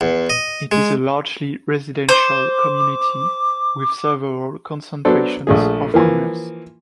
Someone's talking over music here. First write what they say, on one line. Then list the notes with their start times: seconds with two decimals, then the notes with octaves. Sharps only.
It is a largely residential community with several concentrations of commerce.
0.01 E2
0.30 D#5
0.72 G#3
2.09 C5 D6
5.05 F#3 B3 D4 A4 C5
5.47 A#1 A3 G#4
5.94 E3 F3 A#3